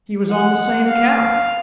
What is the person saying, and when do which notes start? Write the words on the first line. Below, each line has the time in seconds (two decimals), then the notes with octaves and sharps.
He was on the same couch.
0.32 F#5
0.88 F5